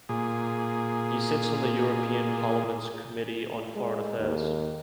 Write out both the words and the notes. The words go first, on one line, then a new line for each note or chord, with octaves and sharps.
He sits on the European Parliament's Committee on Foreign Affairs.
A#2 G#4
G#3
D#2